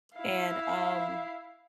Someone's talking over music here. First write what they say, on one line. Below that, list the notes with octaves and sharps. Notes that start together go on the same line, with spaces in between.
And, um,
E4 F5